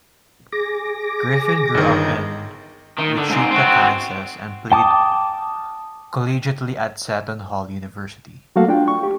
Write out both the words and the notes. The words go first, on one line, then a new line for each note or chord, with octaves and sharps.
Griffin grew up in Wichita, Kansas and played collegiately at Seton Hall University.
G#4 D6 A#6
G1 D#3
D#3
D3
G#2 C4
C4 F#4
G5 A5 D6 D#6
F#3 A3 A#3 F#4 A4 F5
D4 F4 G5
C#6
G4